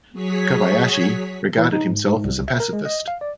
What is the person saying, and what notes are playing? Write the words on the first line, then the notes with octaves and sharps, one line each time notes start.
Kobayashi regarded himself as a pacifist.
F#3 G#4 C#5 B6
E3
D#4
G#2
G#2
C2
E5
A#4
G#3
D#5
F5
D5